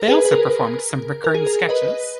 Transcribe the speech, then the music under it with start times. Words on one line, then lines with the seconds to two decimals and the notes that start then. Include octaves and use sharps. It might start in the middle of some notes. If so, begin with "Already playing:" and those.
They also performed some recurring sketches.
Already playing: A#4
0.08 G#4 B4
0.25 B4
0.32 A#4
1.24 A#4
1.35 G#4
1.47 A#4
1.69 B4 D#5